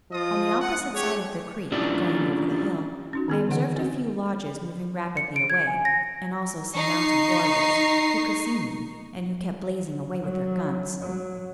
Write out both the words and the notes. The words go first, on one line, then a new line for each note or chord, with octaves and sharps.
On the opposite side of the creek, going over the hill, I observed a few lodges moving rapidly away, and also some mounted warriors, who could see me, and who kept blazing away with their guns.
F3 F4 D#5 D#6
F#5
G4 G#4 C#5
C#4 D4 E4 F4 G4 D5
C#4 D#4 F#4
D#3 B3 G#4
D3 E3 F#5
C4 F#4
C#7
D7
G#6
G#5
A#6
D#4 C#6 C7
F#3
F#3